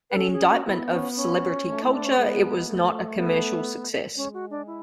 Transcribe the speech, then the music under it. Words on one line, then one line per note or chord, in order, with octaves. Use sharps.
An indictment of celebrity culture, it was not a commercial success.
B4
C#4 A4
G#4
F#4
B3 E4
C#4
C#4
A3
E4
D4
C#4
G#3 B3
A3
B3
G#3 C#4
F#4
D4
E4